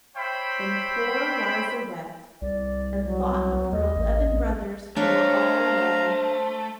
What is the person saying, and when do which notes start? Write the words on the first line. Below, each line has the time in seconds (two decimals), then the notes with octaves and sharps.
Then poor Eliza wept, and thought of her eleven brothers who were all away.
0.16 C5 C#5 E5 G5 B5
2.42 C2 D5
3.05 F#3
3.72 D#2 D#5
3.96 A1
4.29 A#1
4.96 A3 D4 C5 C#5 D#5 F5 A#5